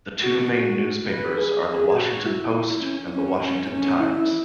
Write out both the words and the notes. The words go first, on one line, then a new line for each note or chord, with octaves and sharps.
The two main newspapers are The Washington Post and The Washington Times.
F#4
F#4
B4
G#4
G#4
F#4
E4
E4
C#4
C#4
C#4
C#4
E4